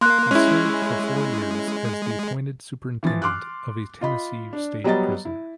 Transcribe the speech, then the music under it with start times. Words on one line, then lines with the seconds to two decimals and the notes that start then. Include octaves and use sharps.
He served for four years as the appointed superintendent of a Tennessee state prison.
0.01 A#3 C6 F#6
0.31 G#3 C#4 E4
3.03 E3 F3 A6
3.22 C6 D6 F6 F#6
4.01 F4 D#5 B5
4.53 D4
4.84 F#3 G3 B3 D#5 A#5 A6
5.25 E4